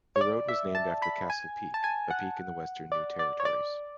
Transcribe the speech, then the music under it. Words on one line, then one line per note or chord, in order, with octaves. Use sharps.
The road was named after Castle Peak, a peak in the western New Territories.
C#5
D5
E5
A5
B5
G#5
A5
G#5
F#5
D5
D5
C#5
D5